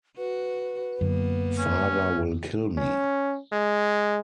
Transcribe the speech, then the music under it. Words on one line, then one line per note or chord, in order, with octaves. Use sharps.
Father will kill me.
F#4 B4
F#2 D3 A#3 B3
C#4
C#4
G#3